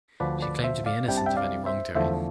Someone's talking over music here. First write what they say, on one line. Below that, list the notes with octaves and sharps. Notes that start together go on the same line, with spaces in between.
She claimed to be innocent of any wrongdoing.
D2 D3 F3 B4 D5
B4 D5
C5 E5
D5 F5
C2 C3 G3 D4 G5
A5
E5 G5
D5 F5
C5 E5
E2 D3 F3 A3 C5 E5